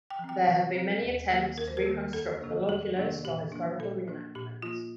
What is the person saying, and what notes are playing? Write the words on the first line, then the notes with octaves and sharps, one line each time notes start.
There have been many attempts to reconstruct the loculus for historical reenactment.
G5
F3 C4
G5
C3
F3 C4
D#2
D#3 A#3
D#2 A#4
C5
A#4
D#3 A#3
F2 A4
C3 D#3 A#3 D4
F2 G4
C3 D#3 A#3 D4
A#2 G4
F3 A#3 D4
A#2 A4
F3 A#3 D4
A#2 G4
F3 A#3 F4